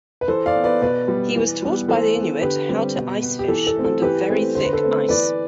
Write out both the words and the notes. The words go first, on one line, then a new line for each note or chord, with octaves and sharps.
He was taught by the Inuit how to ice fish under very thick ice.
B4
E3 A4 C5
D5 F5
B3
B4 D5
B2 B4 D5
G3 B3
E3
G3 B3
E3 A4 C5
B3
D3 G4 B4
G3 C4
B2
B3
G4
E3 A4
A4
A3 C4
A4
E3 G4 B4
A3 C4
D3 C5
B4
A4 C5
A3 C4
E3 B4 D5